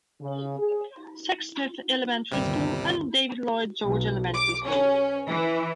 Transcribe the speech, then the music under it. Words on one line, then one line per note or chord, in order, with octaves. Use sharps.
Sexsmith Elementary School, and David Lloyd George Elementary School.
C#3
G#4
G1 D#2 C3 G3
B1
D6
C#4
E3